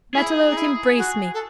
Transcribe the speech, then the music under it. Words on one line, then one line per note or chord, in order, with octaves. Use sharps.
Matelote, embrace me!
E4 G#4
D#4
E4
F#4
A4